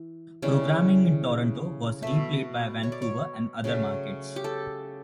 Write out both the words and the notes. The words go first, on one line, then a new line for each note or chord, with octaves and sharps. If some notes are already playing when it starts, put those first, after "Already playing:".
Programming in Toronto was replayed in Vancouver and other markets.
Already playing: E3
C#3 E3 G3
B2 A3 E5
C#5
D5
C#5
C#3 F#3 A3
G4
A4